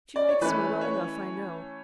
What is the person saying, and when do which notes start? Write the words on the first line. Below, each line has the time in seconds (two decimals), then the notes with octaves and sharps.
She likes me well enough, I know.
0.16 D5
0.29 C#5
0.41 E3 A3 C#4 B4
0.81 C#5